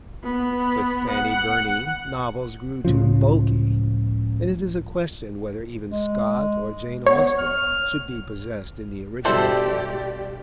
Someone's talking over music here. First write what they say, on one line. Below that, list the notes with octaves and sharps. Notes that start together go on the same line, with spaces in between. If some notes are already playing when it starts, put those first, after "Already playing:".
With Fanny Burney, novels grow too bulky, and it is a question whether even Scott or Jane Austen should be possessed in the original form.
B3
F#5
C#2 A2 C#3 F3
G#3
B3 C#5
F6
G2 B2 G4 A4 C5 D5 E5 C6